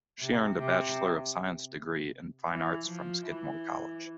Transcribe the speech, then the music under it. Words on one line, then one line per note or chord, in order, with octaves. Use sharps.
She earned a Bachelor of Science degree in Fine Arts from Skidmore College.
C3
C3
E3
F3
E3